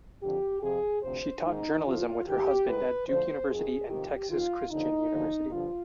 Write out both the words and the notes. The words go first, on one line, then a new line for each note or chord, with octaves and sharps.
She taught journalism with her husband at Duke University and Texas Christian University.
F2 D3 F3 G4
F2 C3 F3 G#4
D2 C3 F3 C5
G#2 D#3 D#4
F2 D3 F3 F4
G#2 D#3 G4
G#2 D#3 B4
D2 D3 F3 C5
F2 D#3 G#4
F2 C3 D#3 G4
D#2 D#3 F4
D#2 D3 F3 D#4
D#2 D3 F3
G2 D3 F3 F4